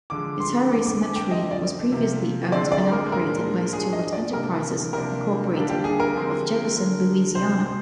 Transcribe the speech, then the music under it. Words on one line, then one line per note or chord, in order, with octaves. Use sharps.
Metairie Cemetery was previously owned and operated by Stewart Enterprises, Incorporated of Jefferson, Louisiana.
D3 F3 G#3 D6
C6
F2 D3 G3 D6
D6
G#5
G5
F2 D3 G3 C4 D#5
D5
C3 F3 A#3
D3 G#3 C4 D5
D5
A#4
A#2 G#3 D4 A#4
G#2 G3 D4 G#4
D#5
D5
C3 G3 A#3 D4 A#4
C3 F3 A#3 D4 A#4
D3 G3 A#3 D4
G4
G#4
A#4
D3 F3 G#3 C4
D3 G#3 D4
C3 G3 C4 C5
C5